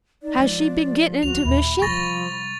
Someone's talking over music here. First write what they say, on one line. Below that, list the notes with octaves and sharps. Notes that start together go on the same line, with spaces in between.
Has she been gettin' into mischief?
D#4 D5
F3 G#3
D2 F#4 F7
D#2 A#2 E5 B5
C3 F3 G3 C#6 A6 A#6